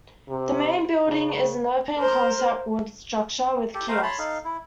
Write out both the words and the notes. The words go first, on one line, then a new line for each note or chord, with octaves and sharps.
The main building is an open-concept wood structure with kiosks.
C3
C#3
A#4 C5
G4 A4
A3 A#4 C5 F5
C#5 A5 B5 C6
D#4 A4 F5
E4